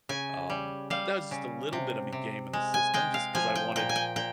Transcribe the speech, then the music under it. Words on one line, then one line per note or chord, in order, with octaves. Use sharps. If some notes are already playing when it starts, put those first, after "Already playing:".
um, that was just a little bit of me gaming the system, just 'cause I wanted
C#3 G#5
G3
G3 F5
C#3
C3
C3
G#3
G#5
G#3 G5
F5
F3 G#5
G5
A#2 G5
G#5
G5
A#2 G5